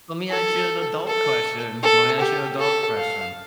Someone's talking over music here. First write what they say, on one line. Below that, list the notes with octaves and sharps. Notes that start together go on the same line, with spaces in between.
Let me ask you an adult question, let me ask you an adult question.
A4
A4
A4
G4
A4
F5